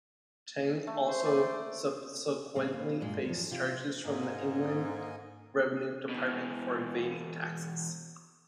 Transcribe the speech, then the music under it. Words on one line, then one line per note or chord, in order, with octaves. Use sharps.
Tang also subsequently faced charges from the Inland Revenue Department for evading taxes.
A3
C5
D5
A#2 C#3 C4 D4
A#3 B4
G2 A#2 G#3
E2 F3
C3 D#4 F4
G#2 A#3 D#5 G#5
E2 B2